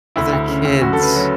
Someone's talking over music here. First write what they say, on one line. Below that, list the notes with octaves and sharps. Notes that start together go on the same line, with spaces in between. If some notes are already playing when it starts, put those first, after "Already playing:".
But they're kids.
D2 E4
D2
C#3
D2
D2 F#4
A4
C#3
B4
F#3